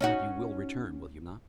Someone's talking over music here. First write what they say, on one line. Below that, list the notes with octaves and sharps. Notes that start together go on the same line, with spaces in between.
"But you will return, will you not?"
C#4 D#4 F#4